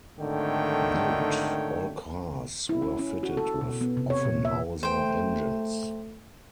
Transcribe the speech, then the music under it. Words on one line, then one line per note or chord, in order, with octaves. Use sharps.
Note: all cars were fitted with Offenhauser engines.
G#1 D3 D#3 A3 C#5 G5
E4
C#4
C#4
F#4
A4
B2
B3
C3
C#5
A#2
E5
A3 C5 G5